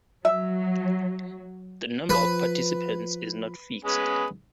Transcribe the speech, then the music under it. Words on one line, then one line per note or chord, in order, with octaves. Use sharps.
The number of participants is not fixed.
F#3 E5
F3 B4
G#3 B3 C#4